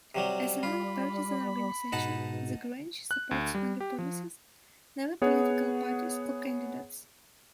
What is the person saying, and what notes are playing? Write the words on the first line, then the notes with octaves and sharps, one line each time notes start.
As a non-partisan organization, the Grange supports only policies, never political parties or candidates.
C3 F#3 G3
G3 F4 B5
G#2 B2 D#4 F#5 A5
F#6
D2
G3
G4
F3
B3 G#4 C#5 F#5